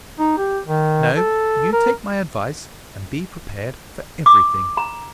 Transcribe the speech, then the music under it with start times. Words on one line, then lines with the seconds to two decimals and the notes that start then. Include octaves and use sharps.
No, you take my advice, and be prepared for everything.
0.19 D#4
0.38 G4
0.66 D#3
1.17 A4
1.73 A#4
4.26 D6
4.77 A#5